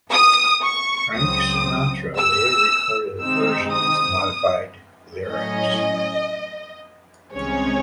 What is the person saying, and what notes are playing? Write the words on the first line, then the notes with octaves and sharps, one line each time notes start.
Frank Sinatra later recorded a version with modified lyrics.
D#6
C#6
C#2 C#3 F#3 C4 D#6
E6
C3 D#3 G#3 C4 D#4 E6
D#6
A2 F#3 C#4 D#5
C2 C3 D#3 G#3 C#4 C#5